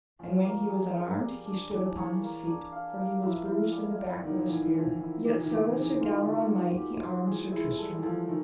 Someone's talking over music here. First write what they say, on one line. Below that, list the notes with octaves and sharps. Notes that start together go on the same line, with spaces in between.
And when he was unarmed he stood upon his feet, for he was bruised in the back with a spear; yet so as Sir Galleron might, he armed Sir Tristram.
F3 C#4
A#3
G#4
G#4
G3
D4
E3 D4
E3 C#5
A#3
D4
F5
F5
F3 E4
E4
G3
G3
D#3 B3
F3
E3 B3
E3 F3
E3
D#3 E4
D#3 G4
E3
D#3
E3 G4
D#3
E3
D#3 G#4
E3
D#3
F4
D3
D#3 C#4
F#4
G4
C5
E3 G#4
G#3 E4
G3 A4
E3
F3 A4
D#3 C#4